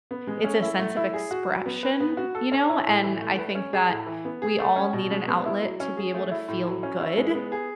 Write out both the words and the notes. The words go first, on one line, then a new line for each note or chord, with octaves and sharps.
it's a sense of expression, you know? And I think that we all need an outlet to be able to feel good,
B3
G#3
C#4
E4
A3
E4
G#4
F#4
F#3
B3
B4
B3
F#4
A4
C#4
E4
A2
E3
A3
B4
C#4
G#4
A2
E3
B3
G#4
A3
C#4
B2
G#3
B3
E4
F#3
C#4
G#4
A3
E4
A2
F#3
C#4
E4
G#3
B3
G#4